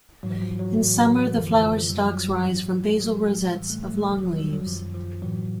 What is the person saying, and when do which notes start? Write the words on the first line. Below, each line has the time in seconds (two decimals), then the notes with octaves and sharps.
In summer the flower stalks rise from basal rosettes of long leaves.
0.23 G#2 E3 F#3
0.42 F3
0.60 F#3
0.79 A2 E3
1.33 F#2 D3 E3
1.47 F3
1.62 F3
1.76 F3
1.89 F#2 D#3 G3
1.97 F#3
2.06 F3
2.13 F#3
2.44 G#2 E3
3.00 A2 E3 F#3
3.28 G#3
3.56 A2 E3 G3
3.70 A3
3.84 A3
3.98 G3
4.10 E2 C3 D#3 F3
4.25 F#3
4.39 G3
4.53 F#3
4.66 F#2 D#3 F3
4.94 F3
5.22 A2 E3 F#3